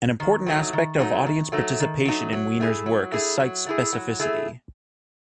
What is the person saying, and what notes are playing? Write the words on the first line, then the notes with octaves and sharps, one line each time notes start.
An important aspect of audience participation in Weiner's work is site-specificity.
D#3
F#3 A3 D#4
D#3
F#3 A3 D#4
D#3
F#3 A3 D#4
D#3
F#3 A3 D#4
F#3
A3 E4 G#4
F#3
A3 E4 G#4
F#3
A3 E4 G#4
F#3
A3 E4 G#4